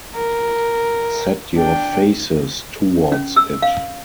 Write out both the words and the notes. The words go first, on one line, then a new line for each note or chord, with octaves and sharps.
Set your faces towards it.
A#4
D4 G5
C#4
E6
F5